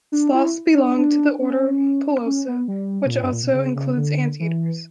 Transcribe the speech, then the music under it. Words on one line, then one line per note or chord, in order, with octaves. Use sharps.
Sloths belong to the order Pilosa, which also includes anteaters.
D4
E4
D4
D4
C#4
C#4
B3
G3
B2
A#2
G2
A#2
B2
C#3
C#3
D3
E3